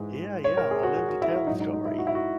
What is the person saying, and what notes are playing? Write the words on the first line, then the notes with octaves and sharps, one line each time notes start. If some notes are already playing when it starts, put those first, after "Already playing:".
Yeah, yeah. I lived to tell the story
Already playing: G#2 E3 G#3
C#5
A#4
G#4
F#4
G#4
F#4
E4
F#4
G#2 F#3 D#4
D#4
D#4
E4
F#4
E4
F#4